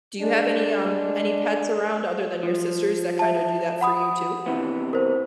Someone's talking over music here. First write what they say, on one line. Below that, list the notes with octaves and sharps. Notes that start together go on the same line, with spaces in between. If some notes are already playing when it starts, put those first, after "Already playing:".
do you have any, um any pets around other than your sister's that kinda do that for you too?
G#3 D4
F3
E5 A5
F#5 B5 D#6
C3 E3 B3
A#4 C5